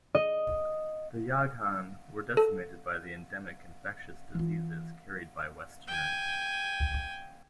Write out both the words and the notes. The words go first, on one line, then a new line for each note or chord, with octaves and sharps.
The Yaghan were decimated by the endemic infectious diseases carried by Westerners.
D#5
A4
E3 F4
G5 G#5